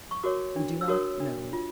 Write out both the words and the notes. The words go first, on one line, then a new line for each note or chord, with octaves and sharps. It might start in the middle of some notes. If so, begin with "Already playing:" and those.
We do not know.
C#6
F#4 A#4 C#5 D6
D4
E6
F#4 A#4 C#5 D#6
D4
F4